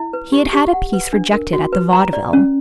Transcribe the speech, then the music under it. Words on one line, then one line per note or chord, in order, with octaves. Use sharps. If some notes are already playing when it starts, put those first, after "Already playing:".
He had had a piece rejected at the Vaudeville.
Already playing: E4
B4
G4
G4
F#5
B4
D4
A#4
F#4
B4
A#5
D5
C#4